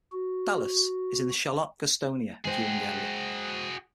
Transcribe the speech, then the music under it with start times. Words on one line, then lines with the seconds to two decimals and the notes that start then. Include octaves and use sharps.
Dallas is in the Charlotte-Gastonia viewing area.
0.12 F#4
2.45 G#3 F#4 G#4 C5 G5